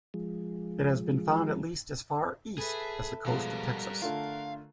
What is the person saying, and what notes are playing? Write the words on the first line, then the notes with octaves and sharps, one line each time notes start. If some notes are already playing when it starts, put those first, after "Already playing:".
It has been found at least as far east as the coast of Texas.
F3 G#3
G#4 A4 B4 E5
B2 F3 G3 G#3 A#4 F5 F#6
D3 A3 F4 F5